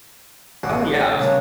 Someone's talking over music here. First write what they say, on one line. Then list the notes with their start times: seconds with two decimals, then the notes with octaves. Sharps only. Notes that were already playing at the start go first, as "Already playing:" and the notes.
Oh, yeah.
0.63 A1 B2 F#4 C#6 D6
1.19 C#3 G3 C#4 D4 A#4 C#5